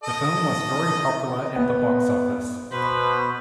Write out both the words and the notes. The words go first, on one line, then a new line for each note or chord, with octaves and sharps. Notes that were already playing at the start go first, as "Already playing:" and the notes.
The film was very popular at the box office.
A4 D#5
B3
B2 B4 C5